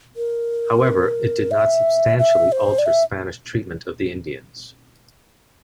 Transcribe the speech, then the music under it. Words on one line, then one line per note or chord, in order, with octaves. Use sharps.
However, it did not substantially alter Spanish treatment of the Indians.
A#4
E5
E5
C5
D5
E5